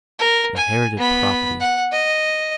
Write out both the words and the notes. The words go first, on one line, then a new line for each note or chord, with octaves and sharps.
Inherited property!
A#4
G#5
B3 B5
F#5
D#5